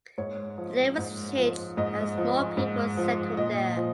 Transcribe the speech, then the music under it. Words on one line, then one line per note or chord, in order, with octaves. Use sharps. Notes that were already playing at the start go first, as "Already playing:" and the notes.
The name was changed as more people settled there.
G#2 C#5
F3
G#2
F3
G#2 D#5
F3
G#2
F3
A#2 D#5
F3